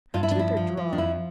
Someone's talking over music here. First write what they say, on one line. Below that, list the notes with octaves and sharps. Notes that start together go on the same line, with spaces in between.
Her teeth are drawn.
G2 F4
E4
D4
F3 E4
F3
F3
D4
F2 E4